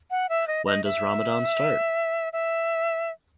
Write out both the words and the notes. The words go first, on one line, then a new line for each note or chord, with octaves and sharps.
When does Ramadan start?
F#5
E5
D#5
D#5
E5
E5